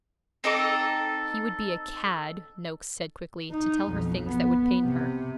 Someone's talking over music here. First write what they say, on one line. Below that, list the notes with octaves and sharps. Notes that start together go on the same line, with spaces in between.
'He would be a cad,' Noakes said quickly, 'to tell her things that would pain her.'
C4 D#4 A4 D6
D#4
B1 F2
B3
C3